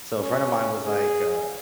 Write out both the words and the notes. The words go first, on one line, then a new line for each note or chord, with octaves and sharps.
so, a friend of mine was, like, uh
C#4
G#4